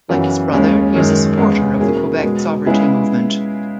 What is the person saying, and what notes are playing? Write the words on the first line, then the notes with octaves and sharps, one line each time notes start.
Like his brother, he is a supporter of the Quebec sovereignty movement.
F#2 C#3 E3 B3 F#4
D#2 C#3 G#3 C#4
F#2 D#3 G#3
E2 C#3 G#3 B3
B2 A#3 C#4 E4 G#4
B2 G#3 B3
C#3 G#3 B3 E4 G#4